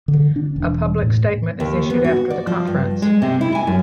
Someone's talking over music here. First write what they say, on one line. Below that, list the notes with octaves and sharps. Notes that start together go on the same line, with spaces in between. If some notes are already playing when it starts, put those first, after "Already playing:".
A public statement is issued after the conference.
D3
D4
E1
A2
D#2
B3
F#4
D5
F3
G2
G#3
C3
E4
G#5
F#2